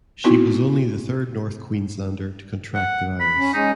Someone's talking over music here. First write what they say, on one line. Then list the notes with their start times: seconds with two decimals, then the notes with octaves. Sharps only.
She was only the third North Queenslander to contract the virus.
0.24 B3 C4 D#4 E4 F#4
2.75 F#5
3.20 B5
3.38 C#4
3.54 G#3 C#4 D#4